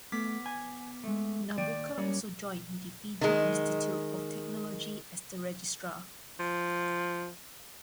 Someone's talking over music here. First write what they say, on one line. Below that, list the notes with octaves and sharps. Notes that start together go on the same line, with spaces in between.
Nabuka also joined the Fiji Institute of Technology as the Registrar.
A3 B3 D6 B6
G#5
G#3 A3
D#3 A#3 D5 G5
G3 A#3 C#4
D#3 G#3
F3